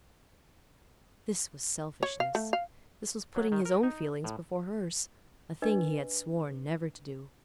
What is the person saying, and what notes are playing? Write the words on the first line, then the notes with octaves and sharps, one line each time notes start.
This was selfishness; this was putting his own feelings before hers--a thing he had sworn never to do.
C#5
F5
A3
F5
F#3
D#3
A#4
D#4
A2
D4 B4 D#5